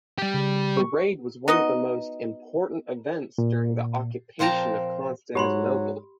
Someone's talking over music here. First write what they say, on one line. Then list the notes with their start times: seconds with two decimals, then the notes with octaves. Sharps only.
The raid was one of the most important events during the Occupation of Constantinople.
0.18 G3 G4
0.34 C#3
0.77 C#6
1.48 B3 D#4 F#4 D#5
3.38 A#2
4.39 A#2 F3 C4 A5 A#5
5.35 G#2 F#3 G4 B5 C6